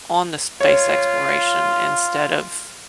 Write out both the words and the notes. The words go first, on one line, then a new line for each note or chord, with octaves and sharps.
on the space exploration instead of
F4 C#5